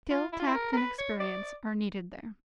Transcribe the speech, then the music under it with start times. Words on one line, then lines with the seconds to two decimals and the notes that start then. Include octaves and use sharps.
Skill, tact, and experience are needed there.
0.11 F4
0.33 E4
0.40 F4
0.47 E4
0.55 A#4
0.73 A#4
0.77 B4
0.98 C#5
1.20 D5